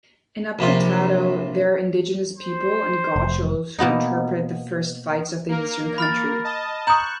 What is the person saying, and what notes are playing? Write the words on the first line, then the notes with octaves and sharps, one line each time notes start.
In Apretado there are indigenous people and gauchos who interpret the first fights of the Eastern country.
A#1 C3 F4
C5
F1
B2 A#3 B3 D#4
A#3 A#4
B5 F6 A6
D#5 A5
A#5 C#6 D#6 F#6 G6 E7 F#7